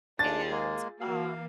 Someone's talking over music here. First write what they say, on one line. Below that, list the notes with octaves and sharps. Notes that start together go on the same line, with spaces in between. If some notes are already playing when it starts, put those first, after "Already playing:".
and, um
D#2 D4 F4 G#4 A6
G#3 A#3
E3 A#3 F#4 F5